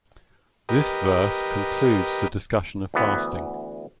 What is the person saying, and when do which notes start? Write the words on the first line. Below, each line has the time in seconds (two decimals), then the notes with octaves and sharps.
This verse concludes the discussion of fasting.
0.69 G4 A#4 B4 D#5
2.94 D2 E3 B3